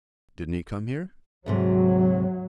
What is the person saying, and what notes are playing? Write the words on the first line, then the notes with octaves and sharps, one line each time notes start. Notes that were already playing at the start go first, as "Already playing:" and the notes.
"Didn't he come here?"
D2 G#2 C3 F#3